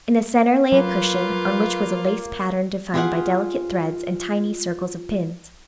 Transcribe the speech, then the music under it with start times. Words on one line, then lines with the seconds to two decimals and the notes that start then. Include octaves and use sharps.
In the centre lay a cushion on which was a lace pattern defined by delicate threads and tiny circles of pins.
0.72 F#3 A#3 F4 B4
2.94 F4 G4 G#4 C5 F5 F#5